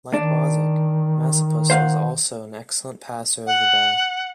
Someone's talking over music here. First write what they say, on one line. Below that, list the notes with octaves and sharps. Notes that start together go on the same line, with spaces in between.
Like Bozsik, Masopust was also an excellent passer of the ball.
D#3 D4
C5 F5 F#5
F#5